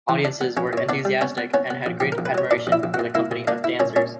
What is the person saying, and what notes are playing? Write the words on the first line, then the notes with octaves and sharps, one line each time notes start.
Audiences were enthusiastic and had great admiration for the company of dancers.
E3
D4
B3
A#1 C#4 C#5
A#2 C#5
B3 D4 D5
G3
B3 C#4 C#5
B3
B3 C#4 C#5
B3
A#1
A#1 G4
A#4
A#1
B4
F#3 C#5
A#2 D4 D5
A#1
E4 E5
A#1
F#4 F#5
A#2
A#3 E4 E5
A#2
A#3 D4 D5
E4
A#2 C#4 C#5
A#2 C#4 C#5